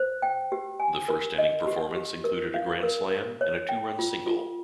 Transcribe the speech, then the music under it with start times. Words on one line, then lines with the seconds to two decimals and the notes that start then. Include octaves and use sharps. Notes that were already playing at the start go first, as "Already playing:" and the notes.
That first inning performance included a grand slam and a two-run single.
Already playing: C5
0.22 G5
0.52 G4
0.80 G#5
1.08 A#4
1.38 D#5
1.67 G4
1.96 G4
2.24 A#4
2.54 F5
2.83 A#4
3.11 A#4
3.41 C#5
3.69 G5
3.99 F4
4.26 F4